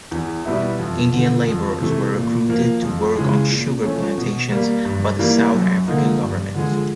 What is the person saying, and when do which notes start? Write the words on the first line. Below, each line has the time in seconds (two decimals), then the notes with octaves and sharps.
Indian laborers were recruited to work on sugar plantations by the South African government.
0.11 E2
0.45 B2 G3 B3 E4
0.79 F2
1.13 D3 F3
1.47 F2
1.81 C3 E3 A3
2.15 A#2
2.49 F3 A#3
2.82 F2
3.16 C#3 E3 G#3
3.50 A#2
3.84 F3 A3 C#4
4.18 B2
4.52 G3 A#3
4.85 G2
5.19 E3 G3 A#3
5.53 F#2
5.87 D3 F3 A#3 D#4
6.21 G2
6.55 D3 F3 G#3